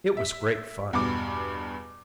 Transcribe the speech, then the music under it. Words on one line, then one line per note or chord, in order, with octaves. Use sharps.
It was great fun.
E5
E2 G2 B2 B3 D6